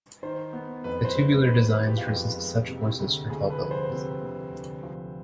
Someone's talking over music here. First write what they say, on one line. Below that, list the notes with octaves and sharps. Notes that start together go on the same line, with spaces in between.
The tubular designs resist such forces for tall buildings.
D#3 C5
B3
F2 B4
C5
G#3
D#3 B4
B4
B3
G4
F4
F2 G4
G#3
C3
D2
D2 G#4
B4
F3
C5
C3
D2
D2
F3